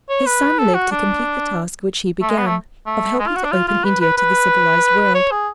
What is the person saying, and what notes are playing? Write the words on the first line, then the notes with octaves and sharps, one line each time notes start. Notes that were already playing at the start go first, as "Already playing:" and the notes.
His son lived to complete the task which he began, of helping to open India to the civilized world.
C#5
B4
A4
F#4
D4
A3
G#3
B3
A3
A3
G#3
F4
F#4
D4
F4
F4
B4
B4
B4
C#5
G#4